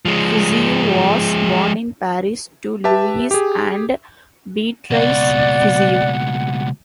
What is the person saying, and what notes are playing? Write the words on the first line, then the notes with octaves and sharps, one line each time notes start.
Fizeau was born in Paris to Louis and Beatrice Fizeau.
F3 G#3
G4 B4 E5 A5
G4 G#4
C#2 B2 D5 F#5